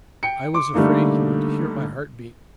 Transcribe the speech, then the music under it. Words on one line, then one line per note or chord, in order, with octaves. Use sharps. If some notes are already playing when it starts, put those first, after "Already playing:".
I was afraid he would hear my heart beat.
G5 C#7
C6 D6
D3 G3 A3 A#3 D#4